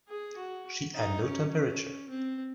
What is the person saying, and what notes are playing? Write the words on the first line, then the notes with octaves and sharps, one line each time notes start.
She had no temperature.
G#4
F#4
D#4
C#4
C#4
C4